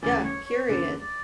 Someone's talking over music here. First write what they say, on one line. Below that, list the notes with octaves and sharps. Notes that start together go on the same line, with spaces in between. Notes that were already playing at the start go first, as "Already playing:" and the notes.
Yeah, period.
D2 C#3 E3 G3 C#4 D5
C#5
C#5
F#2 D3 A#3 D5
D5